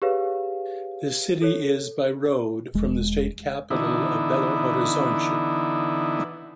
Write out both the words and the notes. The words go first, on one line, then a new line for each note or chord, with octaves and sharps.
The city is by road from the state capital of Belo Horizonte.
G4 G#4 B4 C#5 F5
A4 C#5
E1 G#3
D3 E3 B3 D#4 E4